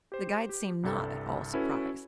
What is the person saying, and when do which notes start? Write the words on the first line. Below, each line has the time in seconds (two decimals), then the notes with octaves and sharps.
The guide seemed not at all surprised.
0.12 G4 C5
0.49 G4
0.83 C2 G2 C3 A4
1.54 C#4 E4 F#4 A4 B4